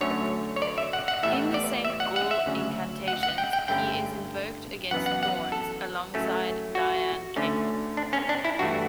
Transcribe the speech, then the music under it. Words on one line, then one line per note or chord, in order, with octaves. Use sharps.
In the Saint Gall incantations, he is invoked against thorns, alongside Dian Cecht.
D2 D3 F#3 A3 C#4 C#5
C#5
D5
E5
F#5
F#5
A2 E3 G3 B3 E5
D5
E5
F#5
F#5
E5
D2 C#3 F#3 C#4
F#5
F#5
G5
G5
G2 D3 A3 C#4 G5
F#2 E3 B3 F#5
F#5
F#5
A4
A2 F#3 A3 C#4
F#4
D2 D3 A3 C#4
D4
C#4
D4
E4
G2 E3 A3 F#4